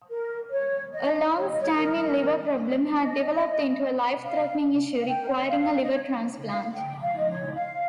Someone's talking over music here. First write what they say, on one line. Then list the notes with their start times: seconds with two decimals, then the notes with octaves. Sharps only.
A long-standing liver problem had developed into a life-threatening issue requiring a liver transplant.
0.09 A#4
0.51 C#5
0.92 D#5
1.35 C#5
1.48 D#5
1.60 C#5
1.71 G#4
1.76 A#4
3.00 D#5
4.24 F5
4.99 F5
5.07 G5
5.20 A#4
5.28 C5
5.35 C#5
5.41 D#5
5.48 F5
5.82 D#5
5.91 C#5
6.46 F5
6.73 G5
7.01 F5
7.17 D#5
7.29 C#5
7.55 F5